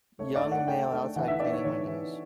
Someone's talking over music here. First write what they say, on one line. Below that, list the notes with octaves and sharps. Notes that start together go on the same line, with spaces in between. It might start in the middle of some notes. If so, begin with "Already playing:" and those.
Young male outside cleaning windows.
A3 C#5
D5
A3
F#5
A3 G5
A3
E3 F#5
E5
B3 D5
C#5
E3 C#5
E3